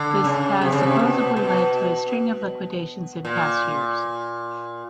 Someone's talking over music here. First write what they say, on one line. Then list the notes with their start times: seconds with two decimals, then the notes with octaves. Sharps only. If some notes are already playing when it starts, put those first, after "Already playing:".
This has supposedly led to a string of liquidations in past years.
Already playing: D3
0.24 C#3
0.61 C3
0.72 C#3
0.83 C3
0.99 B2
1.37 B2
3.25 A#2